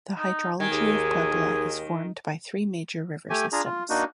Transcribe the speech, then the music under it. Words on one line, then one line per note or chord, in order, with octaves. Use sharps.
The hydrology of Puebla is formed by three major river systems.
D#4
D#3 G#5
D#2 G#4
A3 G4 G#5
D4 F4 G#4 A#5
F4
A#3 D4 D#4 F#4